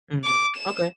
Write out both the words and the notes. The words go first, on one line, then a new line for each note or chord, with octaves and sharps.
Mhm. Okay.
D6
E7